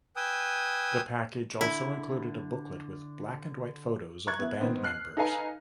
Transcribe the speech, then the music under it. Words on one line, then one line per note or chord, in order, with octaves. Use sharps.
The package also included a booklet with black-and-white photos of the band members.
B4 G5 G#5 D#6 E6
D3 E4
A#5 C#6 F#6 G#6
B3 E4
D#3 B3 C4
F6 F#6 C7
D#4 A4 B4 F5 G#5 A#5